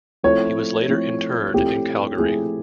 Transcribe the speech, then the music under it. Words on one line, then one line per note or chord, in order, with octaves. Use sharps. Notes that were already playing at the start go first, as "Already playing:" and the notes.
He was later interred in Calgary.
F3 A3 C4 E4 C#5
F3 A3 C4 E4
F3 A3 C4 E4 G4
F3 A3 C4 E4 G#4